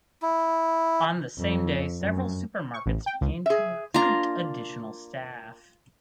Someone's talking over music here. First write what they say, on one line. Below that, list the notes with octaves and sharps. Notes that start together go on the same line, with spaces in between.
On the same day several supermarkets began to recruit additional staff.
E4
F2
F#2
C#6
A1
G5
C#2
G#4 E5
A#3 D4 F4 A#5